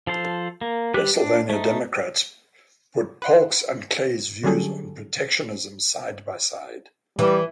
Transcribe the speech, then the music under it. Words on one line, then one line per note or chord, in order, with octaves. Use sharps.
Pennsylvania Democrats put Polk's and Clay's views on protectionism side by side.
F3 A4 C5
A#3
G3 G4 B4 D6 F#6
D4
A3 D#4
B4 F#5 C6
D3 F#3 G3 C#4 G#4 A4
E3 G3